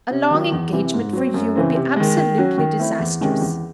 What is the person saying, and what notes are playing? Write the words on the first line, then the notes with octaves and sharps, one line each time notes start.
"A long engagement for you would be absolutely disastrous."
C3
D#3 F#3
E2
C3 E3
G#2
F#3 C4
F#2
C#3 E3 C4
C3
D#3 G#3
D#3
F#3 C#4 F#4
D#3
A3 C4 E4
E2
C3 D#3 G#3 C#4
E2